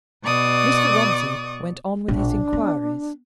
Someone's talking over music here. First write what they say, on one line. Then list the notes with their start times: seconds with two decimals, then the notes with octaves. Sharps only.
Mr. Romsey went on with his inquiries.
0.25 B2 D5 C#6 D#6
2.08 A#1 B2 D4
2.53 B3